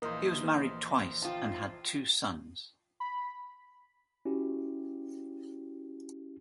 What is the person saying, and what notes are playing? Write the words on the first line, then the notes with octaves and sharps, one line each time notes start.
He was married twice and had two sons.
A#1 E3 A#3 C5 D#5
F3 F4 G5 A5
B5
C#4 E4 F#4 G4